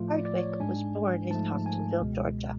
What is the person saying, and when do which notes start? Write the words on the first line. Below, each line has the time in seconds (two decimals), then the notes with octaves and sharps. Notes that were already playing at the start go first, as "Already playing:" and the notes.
Hardwick was born in Thomasville, Georgia.
Already playing: A2 F3 A3 F4
0.14 D5
0.25 D5
0.37 C#5
0.60 G#2 G#3 D4 G#5
1.30 G#2 F3 A3 A5
1.66 G#5
2.01 C#2 B2 G#3